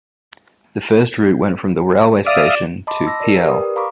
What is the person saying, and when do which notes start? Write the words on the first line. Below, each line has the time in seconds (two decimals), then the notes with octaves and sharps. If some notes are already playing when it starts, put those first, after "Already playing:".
The first route went from the railway station to pl.
2.26 D5 E5 F5 D#6
2.87 D#5 A5 B5 C6 D6
3.05 A5 E6 A#6
3.20 A#4 D5
3.45 G4 A#4 B4 D5 D#6
3.76 F5 A#5 B5 C#6 D6